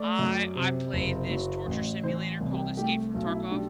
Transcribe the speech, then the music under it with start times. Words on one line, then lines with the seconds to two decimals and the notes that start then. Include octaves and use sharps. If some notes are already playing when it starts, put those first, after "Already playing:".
I I play this torture simulator called Escape from Tarkov.
Already playing: A3 D5
0.19 F#2
0.55 C3
0.93 F#1
1.29 F#3
1.66 A1
2.03 E3 C5
2.40 C2
2.52 G4
2.77 A3 G4
3.14 B1
3.26 E4
3.51 G3 D4